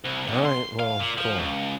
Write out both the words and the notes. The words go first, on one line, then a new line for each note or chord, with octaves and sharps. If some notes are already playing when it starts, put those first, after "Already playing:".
All right, well, cool.
C2
B1
C6
F5
A#2
F3
C#2